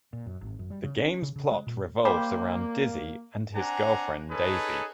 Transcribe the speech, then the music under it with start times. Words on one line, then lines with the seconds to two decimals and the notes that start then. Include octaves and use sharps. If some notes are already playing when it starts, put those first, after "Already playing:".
The game's plot revolves around Dizzy and his girlfriend Daisy.
0.13 A#2
0.26 F#2
0.41 G#1
0.59 F#2
0.70 G3
0.83 C#3
0.98 C#4
1.22 C#3
1.36 C#3
1.51 G#3
1.67 A#2
2.05 G3 A#3 G4 C5
3.55 C4 D4 F#5 G#5 A#5
4.30 C#4 D#4 G#4 A4 B4